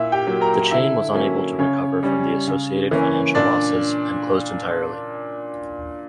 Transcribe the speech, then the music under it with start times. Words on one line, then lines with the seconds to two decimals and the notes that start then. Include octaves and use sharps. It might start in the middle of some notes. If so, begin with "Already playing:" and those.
The chain was unable to recover from the associated financial losses and closed entirely.
Already playing: A#2 E4 E5
0.12 G4 G5
0.27 F#3 A#3
0.41 A#4 A#5
0.71 D3 E4 E5
1.15 F#3 A#3 C#4
1.59 C#3 C#5
2.03 G3 C#4
2.48 C#3
2.91 E3 A#3 C#4
3.35 A#2 D4 D5